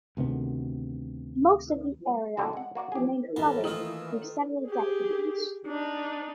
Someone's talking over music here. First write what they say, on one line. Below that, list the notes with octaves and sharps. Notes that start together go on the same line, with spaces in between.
Most of the area remained flooded for several decades.
D2 C3 D#3 B3
C2 F2 D3 G3 F#4
G#3 F#5
A#3 F#4 D5 F#5
G4 G#4
A1 E3 B3 C#4 A5 A#5 C6
D#3 A3 A#3 F4 A#4 D#6 E6 F#7
G4 G#4
D4 D#4